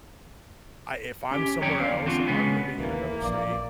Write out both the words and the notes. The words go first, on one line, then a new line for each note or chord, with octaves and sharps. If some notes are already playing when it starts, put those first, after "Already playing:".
I if I'm somewhere else, if I'm living in another state,
C#4 G4
F2 F#3 C#4 C#5 G5 A#5
E2 D3 F5
C4 D4 F4 F#4
C#3 G#3 B3 C#4
D#2 E3 A#3
A#1 D5